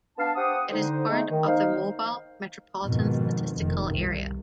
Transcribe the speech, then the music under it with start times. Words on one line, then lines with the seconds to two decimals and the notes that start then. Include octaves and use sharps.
It is a part of the Mobile metropolitan statistical area.
0.18 B3 D4 F5 A5
0.35 G4 C5 F#5 D#6
0.70 D3 D#4 C5
1.08 G#3 A3 B3 D#4
1.28 D#3
1.46 D#4 C5 F5
2.82 F2 G#2 B2 D#3
3.55 F1 D#3
3.93 C2